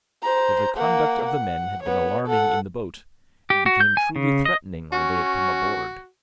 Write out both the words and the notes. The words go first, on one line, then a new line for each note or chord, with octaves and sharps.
If the conduct of the men had been alarming in the boat, it became truly threatening when they had come aboard.
C5 A#5
A#3 F#5
F#5
B3 C#5
A4 F#5
G4
F#4
G6
G#5
C#3
D#5
C#4 F#4